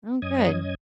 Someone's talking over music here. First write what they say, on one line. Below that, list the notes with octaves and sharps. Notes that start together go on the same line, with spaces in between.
Oh, good.
F#2 C#4 D#5 D#6 G#6